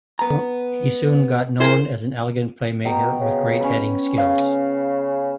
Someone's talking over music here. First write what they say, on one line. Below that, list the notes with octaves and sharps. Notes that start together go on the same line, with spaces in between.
He soon got known as an elegant playmaker with great heading skills.
B3 A#5
E4 G#4 A#4 C5
B2 G5 A#5
C#3
C#4 B4
C#3 F5